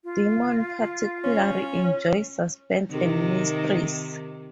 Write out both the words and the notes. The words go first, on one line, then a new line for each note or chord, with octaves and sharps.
Dimon particularly enjoyed suspense and mysteries.
F4
C#4
C3 D#3